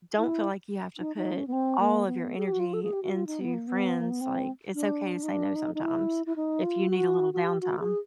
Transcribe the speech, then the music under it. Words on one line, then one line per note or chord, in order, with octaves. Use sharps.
don't feel like you have to put all of your energy into friends, like, it's okay to say no sometimes if you need a little downtime.
E4
D#4
D#4
C#4
B3
C4
A#3
B3
G#4
G4
F#4
F4
A4
G#4
G4
F#4
F4
D#4
B3
A#3
B3
A#3
B3
C4
D4
D#4
D4
D#4
D#4
E4
E4
D#4
F4
F#4
F#4
G4
F#4
G#4